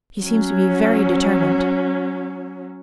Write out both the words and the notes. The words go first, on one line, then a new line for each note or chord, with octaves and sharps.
He seems to be very determined.
F#3 C#4